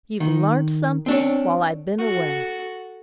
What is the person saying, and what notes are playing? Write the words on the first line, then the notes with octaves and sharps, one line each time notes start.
'You've learnt something while I've been away.
D#3
C4 D4 C#5
F#4 A4